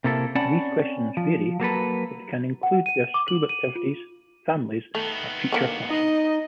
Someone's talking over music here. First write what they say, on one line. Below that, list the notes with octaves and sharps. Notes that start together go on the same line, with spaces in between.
These questions vary, but can include their school activities, families, or future plans.
C3 A#3 E4 A4
C4 C#4 D5 F#5 A5 B5
F3
F#3 A#3 A4 B4
F#5
D#7
D6
F#7
D#7
F4
D#3 A3 B3
D3 F#3 A#3
D#4 D#5